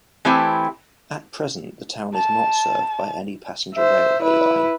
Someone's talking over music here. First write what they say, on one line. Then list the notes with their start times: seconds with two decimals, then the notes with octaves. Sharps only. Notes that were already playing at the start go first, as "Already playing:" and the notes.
At present, the town is not served by any passenger railway line.
0.25 E3 A3 C4 E4 G4
2.15 A5
3.75 C5 E5
4.22 E4 B4